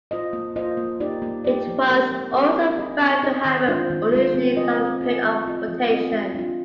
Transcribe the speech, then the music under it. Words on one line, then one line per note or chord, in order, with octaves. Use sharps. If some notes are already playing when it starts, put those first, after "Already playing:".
It was also found to have an unusually long period of rotation.
F4 C5 D#5
A#3
F4 C5 D#5
A#3
D#4 G4 D5
A#3
D#4 G4 D5
F3
G#3 C4 G4 A#4
F3
G#3 C4 G4 A#4
C4
D#4 G#4 D#5
C4
D#4 G#4 D#5
D#3
G#3 D4 F4 C5
D#3
G#3 D4 F4 C5
C4
F4 G#4 D#5
C4
F4 G#4 D#5
F3
C4 F4 G#4 D#5
F3
C4 F4 G#4 D#5
G#3
D4 F4